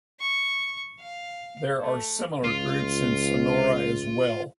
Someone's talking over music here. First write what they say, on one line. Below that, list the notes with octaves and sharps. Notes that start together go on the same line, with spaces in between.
There are similar groups in Sonora as well.
C#6
F5
A3
C#2 F4